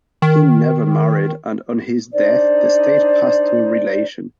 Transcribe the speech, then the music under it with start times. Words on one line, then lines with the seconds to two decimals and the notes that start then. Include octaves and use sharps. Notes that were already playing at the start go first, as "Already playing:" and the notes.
He never married and on his death the estate passed to a relation.
0.22 D#3
2.12 D4 D#4 C5 D5